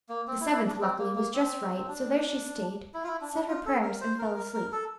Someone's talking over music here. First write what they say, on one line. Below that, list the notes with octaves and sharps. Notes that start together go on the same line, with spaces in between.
The seventh, luckily, was just right; so there she stayed, said her prayers, and fell asleep.
A#3
C4
E4
E4
D4
C4
A#3
A#3
C4
C4
D4
E4
F4
E4
D4
D4
F4
A4
A#4
C5
A#4
A#4
A#4
A4